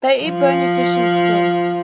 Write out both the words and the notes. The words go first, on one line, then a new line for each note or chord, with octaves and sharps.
They eat bony fish and squid.
F3